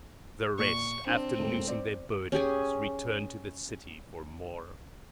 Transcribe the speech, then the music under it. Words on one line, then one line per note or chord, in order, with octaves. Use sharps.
The rest, after loosing their burdens, returned to the city for more.
A#2 C#6
C4 D4
E1 A3
C5 D5
C#4 G4 G#4 G#5